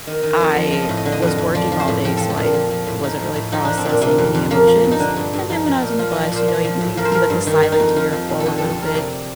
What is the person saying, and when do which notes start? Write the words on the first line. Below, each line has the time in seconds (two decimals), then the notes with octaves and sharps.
I was working all day, so I wasn't really processing any emotions. And then when I was on the bus, you know, you le you let the silent tear fall a little bit,
0.07 D#3 D#5
0.22 D#3 D#5
0.37 F2 D#5
0.52 F3 D#5
0.67 D#5
0.73 F3
0.82 D#5
0.89 A2
0.97 D#5
1.05 D3
1.12 D#5
1.22 F2 D#5
1.38 F2
1.55 F3 D5
1.72 F3
1.80 C5
1.88 A2
2.05 F3 G4
2.17 F3 A4
2.30 G4
2.37 A#2
2.54 F3
2.71 F3
2.87 A2
3.03 F3 D#4
3.19 F3
3.36 A2
3.52 F3 D#4
3.65 F3 D4
3.78 C4
3.85 A#2 D4
4.02 C3 A#3
4.18 F2
4.35 F2
4.50 F3 A#3
4.68 F3
4.84 G2
4.91 D#4
5.00 D3 D4
5.16 G2
5.34 G2
5.49 F3 D#4
5.66 F3
5.82 A#2
5.99 F3 F4
6.11 F3 D#5
6.23 D5
6.32 A#2 C5
6.48 F3
6.64 F3
6.81 A2
6.97 F3 A#4
7.05 C5
7.12 F3 A#4
7.30 G2
7.47 D#3 G4
7.63 D#3
7.72 D#4
7.80 F2
7.96 F3 F4
8.13 F3
8.29 A#2
8.40 A4
8.45 D3 G4
8.58 F2 A4
8.70 A4
8.78 F2 A#4
8.94 C3 D5